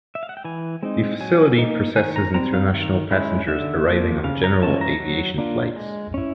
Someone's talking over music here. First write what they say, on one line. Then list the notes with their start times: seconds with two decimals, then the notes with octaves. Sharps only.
The facility processes international passengers arriving on general aviation flights.
0.15 E5
0.23 F5
0.29 F#5
0.37 G5
0.45 E3 G#5
0.83 G#3 C4 D#4
1.20 F#3 G#5
1.58 A#3 D#4
1.96 D#3 G#5
2.16 A#5
2.34 G3 C4 A#5
2.54 F5
2.73 D#3
3.11 G#3 C#4 E4
3.48 D3 E5
3.87 F3 A#3
4.24 C#3 F5
4.44 A#5
4.62 E3 G#3 C#4 F4 A5
4.81 A#5
5.00 F#3
5.38 A#3 D4 F4
5.76 G#3
6.14 C#4 E4